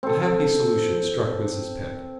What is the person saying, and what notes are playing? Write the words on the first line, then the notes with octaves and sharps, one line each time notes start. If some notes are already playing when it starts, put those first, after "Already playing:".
A happy solution struck Mrs. Pett.
C4 A4